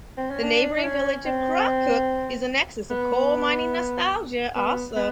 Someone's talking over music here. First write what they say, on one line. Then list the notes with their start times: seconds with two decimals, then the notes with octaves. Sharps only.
The neighbouring village of Crawcrook is a nexus of coal mining nostalgia also.
0.17 C4
0.31 C#4
0.43 D4
0.77 D4
0.83 C#4
1.25 C4
2.90 B3
4.55 B3
4.96 B3